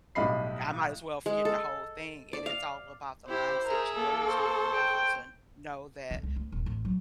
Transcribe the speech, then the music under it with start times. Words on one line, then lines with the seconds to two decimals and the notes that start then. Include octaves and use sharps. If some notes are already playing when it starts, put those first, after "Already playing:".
eh, I might as well forget the whole thing." And it's all about the mindset you go into it with to know that,
0.15 B1 A2 G3 D#5 B5 C7
1.26 G#3
1.45 A4
2.33 D5
2.46 F5
3.29 E4 G4 C5
3.65 G#4 A#4 E5
3.96 A#3 A4
4.27 C5 C#6
4.74 G5
6.11 D3
6.23 C#2
6.36 D2
6.52 D#1
6.66 A1
6.85 F#3